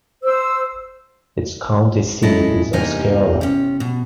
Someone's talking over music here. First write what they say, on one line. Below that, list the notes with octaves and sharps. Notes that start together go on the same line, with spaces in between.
Its county seat is Osceola.
C5 E6
F#3 G#3 C#4 E4 A4 D#5
E2 G2 C3 A#3 D#4 G#5
C3 C#4
B2